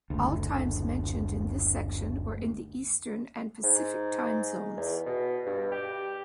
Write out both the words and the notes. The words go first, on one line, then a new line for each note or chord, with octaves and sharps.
All times mentioned in this section were in the Eastern and Pacific time zones.
F#1 D2
G#2
E2
B2
G2
G4